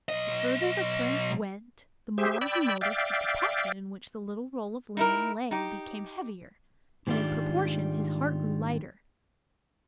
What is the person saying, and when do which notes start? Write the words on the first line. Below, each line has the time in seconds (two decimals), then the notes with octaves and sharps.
The further the Prince went the more he noticed that the pocket in which the little roll of linen lay became heavier, and in proportion his heart grew lighter.
0.09 B1 D#5
2.18 G4 G#4 C5 E5
2.41 D5 G5 B5 E6
2.81 D5 E5 F5 G5
4.97 D#4 E4 A#4
5.51 D#4 G4
7.07 G#2 D#3 G3 D4 F4